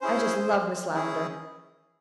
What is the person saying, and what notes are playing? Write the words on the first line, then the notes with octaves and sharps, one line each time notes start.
I just love Miss Lavendar.
C#4 E4 G#4 C5
C#4 E4 G#4